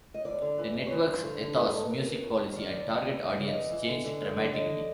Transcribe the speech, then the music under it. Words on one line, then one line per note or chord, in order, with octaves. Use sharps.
The network's ethos, music policy and target audience changed dramatically.
D#5
D2 D5
D3
E3
G2
C#5
E3 C5
G2
D3
D3
G#2 B4
G#4
G#2 A4
F2 A#4
E3
D#2
D#2
D#3 D5
D#2
C#3
E2
D2
D#5
C#3 D5
D#5
E2
E3
D3
D3
F#2
D3
D5
D3 D#5